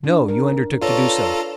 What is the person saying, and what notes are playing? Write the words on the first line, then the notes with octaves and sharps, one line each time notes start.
"No!--you undertook to do so."
D4
A#4
F4 A4 B4 C#5 D5 A#5